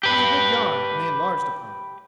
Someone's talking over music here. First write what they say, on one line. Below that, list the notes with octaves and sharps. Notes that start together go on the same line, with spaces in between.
It was a good yarn, and they enlarged upon it.
G4 B4